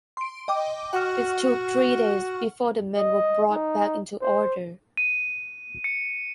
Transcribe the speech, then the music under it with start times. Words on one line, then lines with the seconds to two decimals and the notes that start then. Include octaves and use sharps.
It took three days before the men were brought back into order.
0.17 C6 D7
0.48 D#5 G5 D6
0.93 F#4 F#5 C#6 F6
2.96 D#5
3.51 D#4
4.21 C5
4.97 D#7
5.84 C#7